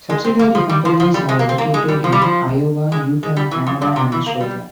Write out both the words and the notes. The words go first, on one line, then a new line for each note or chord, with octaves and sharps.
Subsidiary companies are located in Iowa, Utah, Canada, and Australia.
G#3
C4
A#3
F3
G3
F3
F3
G3
G#3
A#3
C4
A#3
G#3
G3
F3
G3
F3
G#3
G#3
G3
E3
F2
G2
C3
E3
A#3
G3